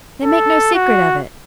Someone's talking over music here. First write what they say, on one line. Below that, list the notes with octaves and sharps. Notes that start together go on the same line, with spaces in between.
They make no secret of it.
A4
F#4